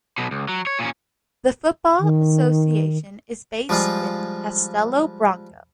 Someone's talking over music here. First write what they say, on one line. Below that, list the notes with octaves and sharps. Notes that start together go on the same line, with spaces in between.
The Football Association is based in Castelo Branco.
B1 B2
C#2
F#3
C#5
A#2 C#4
D#3
F3 G3 G#3 F4